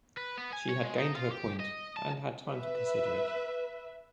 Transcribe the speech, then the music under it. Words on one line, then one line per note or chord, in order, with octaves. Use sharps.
She had gained her point, and had time to consider it.
B4
B3
G#5
C#5
G#3
D#4
F4
G4
D#5
A5
B4 E5